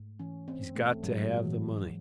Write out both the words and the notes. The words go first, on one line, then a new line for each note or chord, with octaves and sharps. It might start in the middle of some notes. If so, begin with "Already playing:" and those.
He's got to have the money.
Already playing: G#2 A3
E3 C#4
C4
G#2
A3
G#2 F#3
G#3
F#3
E3